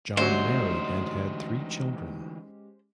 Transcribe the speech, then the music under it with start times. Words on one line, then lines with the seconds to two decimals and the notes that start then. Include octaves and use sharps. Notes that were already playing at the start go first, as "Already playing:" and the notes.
John married and had three children.
0.17 D2 E3 F#3 G#3 C#4 D#4 G4 C5